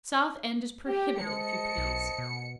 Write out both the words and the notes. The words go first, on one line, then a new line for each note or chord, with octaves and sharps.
South End is prohibited, if you please.
G4
G#3 C5 D#5 A5 C#7
B1
B2